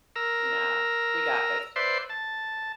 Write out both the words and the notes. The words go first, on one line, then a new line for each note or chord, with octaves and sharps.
Nah, we got this.
A#4 A#5 E6
B4 C5 D5 E5 C6
A5